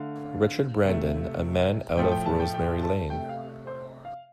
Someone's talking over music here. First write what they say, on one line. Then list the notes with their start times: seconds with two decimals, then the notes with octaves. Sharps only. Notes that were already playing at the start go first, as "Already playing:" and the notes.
Richard Brandon, a man out of Rosemary Lane.
Already playing: D3 A3 F5
0.84 C3 A3
1.97 A2 F3 A3 G5
2.12 G5
2.26 A5
2.40 G5
2.54 G5
2.82 A5
3.10 C3 A3 G5
3.29 F5
3.67 C5
4.05 F5